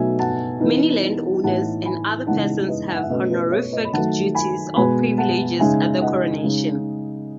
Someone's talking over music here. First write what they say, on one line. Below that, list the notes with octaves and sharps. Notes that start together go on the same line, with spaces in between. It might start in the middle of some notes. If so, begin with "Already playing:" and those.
Many landowners and other persons have honorific "duties" or privileges at the coronation.
Already playing: B2 F#3 A3 D#4 E5 G#5
F#5 A5
E3 B3 D#4
A2 E3 B3 D#4 F#5 A5
G#5 B5
C#3 E3 G#3 B3 D#4 F#5 A5
B4 D#5
G#5
F#5
E5
B2 A3 C#4 B4 D#5
B4
C#5
B4 D#5
B5
D#3 F#3 A3 F#5 A5
G#5 B5
B2 G#3 B3 G#5 B5
F#5 A5
C#3 G#3 D#4 E5 G#5
D#5 F#5
C#3 G#3 D#4